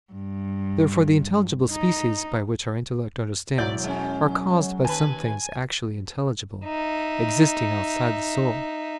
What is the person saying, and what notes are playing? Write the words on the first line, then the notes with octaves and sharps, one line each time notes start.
Therefore the intelligible species, by which our intellect understands, are caused by some things actually intelligible, existing outside the soul.
G2
D#4
E1 F#3 E4 D5 G6
G#3 C#4
D#2 B4 G#5 A5
D#4 E5